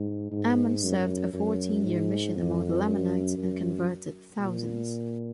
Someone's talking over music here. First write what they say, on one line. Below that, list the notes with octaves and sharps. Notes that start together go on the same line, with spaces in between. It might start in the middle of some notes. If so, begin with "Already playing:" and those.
Ammon served a fourteen-year mission among the Lamanites and converted thousands.
Already playing: G#2
G#2
F#2
F#2
G#2
F2
F#2
F#2
A#2